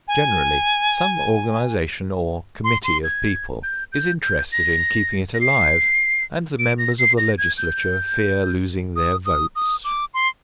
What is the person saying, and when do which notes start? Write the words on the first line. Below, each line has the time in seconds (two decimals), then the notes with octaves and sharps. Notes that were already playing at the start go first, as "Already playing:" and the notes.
Generally some organization or committee of people is interested in keeping it alive, and the members of the Legislature fear losing their votes.
0.08 G#5
2.64 C6
2.84 C6
3.03 G#6
3.63 G6
3.92 G6
4.22 G6
4.52 A#6
5.34 A#6
5.41 C7
6.59 D7
6.78 A#6
6.99 C7
7.18 A#6
7.38 G#6
7.58 G6
8.96 D#6
9.25 D#6
9.55 D#6
9.84 D6
10.14 C6